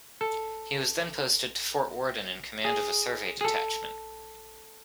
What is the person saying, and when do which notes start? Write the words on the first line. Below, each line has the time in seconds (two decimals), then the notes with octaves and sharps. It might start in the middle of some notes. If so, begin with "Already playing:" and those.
He was then posted to Fort Worden in command of a survey detachment.
0.21 A4
2.65 G#4
3.41 G#4
3.44 A4